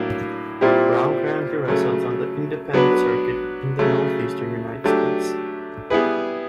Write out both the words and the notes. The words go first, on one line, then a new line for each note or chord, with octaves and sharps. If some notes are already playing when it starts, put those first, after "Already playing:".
Brown currently wrestles on the Independent circuit in the Northeastern United States.
Already playing: A2 F#3 A#3 D4
A#2 G3 C4 E4 G4
C#3 F#3 A3
F#3 B3 D4 F#4 B4
C#3 F#3 A3
F#3 A3 D4 G4
G3 B3 E4 G#4 B4